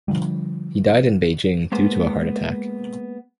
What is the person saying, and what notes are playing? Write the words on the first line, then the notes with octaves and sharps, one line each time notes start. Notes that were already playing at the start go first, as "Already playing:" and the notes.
He died in Beijing due to a heart attack.
D3 F3 G3
G#3 A#3 B3 C5